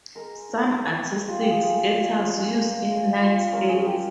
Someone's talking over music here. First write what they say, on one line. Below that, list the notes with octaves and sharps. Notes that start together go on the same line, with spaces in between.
Some artistic skaters use inline skates.
G#3 A#4
D#4
C4
G#3
F4
G4
A#3 G#4
F4
C#4 G#4
A#3
G#3
F4
C#4 A#4
G#4
G#3 G4